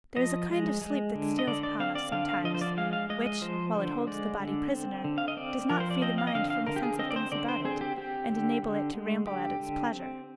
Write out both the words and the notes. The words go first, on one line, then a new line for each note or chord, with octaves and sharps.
There is a kind of sleep that steals upon us sometimes, which, while it holds the body prisoner, does not free the mind from a sense of things about it, and enable it to ramble at its pleasure.
F3 D#5
G#3
G#3
D3
D#5
D3 D5
D5
C4 F5
D5
D3 F5
F5
F3 D#5
C5
D5
G#3 F5
F5
G#3 D#5
D#5
F3 C5
D3 C5
G#3 D5
D3
C4
D3
F5
D#5
C4 D5
F3 A#4
C5
D5
C4 D#5
F5
D#5
D3 F5
F5
D3 A#4
G4
G#4
C4 D#5
D5
C5
D3 D5
C5
C4 G#4
G4
C4 G4
D3
D3
G#3
D3 G4
D3
C4